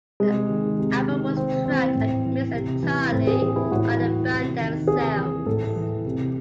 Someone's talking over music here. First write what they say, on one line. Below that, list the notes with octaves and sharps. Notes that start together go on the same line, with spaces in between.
The album was tracked and mixed entirely by the band themselves.
C3 G#3
D#3
C3
D#3
C3 C4
E3 C4
A2
E3
C3
E3
A2 C4
G#4
E3 G#4
E4
A2 F#4
E3
C3
D#3
C3 G#4
E3
A2 A4
E3
C3